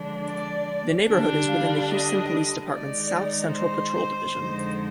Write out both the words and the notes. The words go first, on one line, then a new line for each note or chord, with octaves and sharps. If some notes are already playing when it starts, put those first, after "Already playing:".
The neighborhood is within the Houston Police Department's South Central Patrol Division.
Already playing: D3 F3 G#3 D4
D5
D3 G3 D4
F5
D#5
D#3 G#3 D#4 D5
C5
F2 D3 G#3 D#4